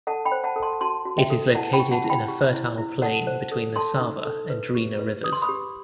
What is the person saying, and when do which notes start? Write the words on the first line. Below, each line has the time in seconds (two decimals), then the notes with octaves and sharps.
It is located in a fertile plain between the Sava and Drina rivers.
0.07 A4 F#5 A5
0.25 G5 B5
0.32 C5
0.44 F#5 A5
0.56 A4
0.62 A5 C6
0.81 F#4 A5 C6
1.05 F#4
1.18 E5 G5
1.30 A4
1.54 E4 F#5 A5
1.73 G5 B5
1.80 G4
1.91 F#5 A5
2.04 E4
2.10 G5 B5
2.28 G4
2.53 E4
2.78 E4
3.02 A4 F#5 A5
3.27 C5
3.52 A4
3.76 A4 A5 C6
4.01 D#4
4.25 A4
4.50 B4
4.75 G4
4.99 B4
5.24 B4 D#6
5.33 C6
5.42 B5 D#6
5.49 G4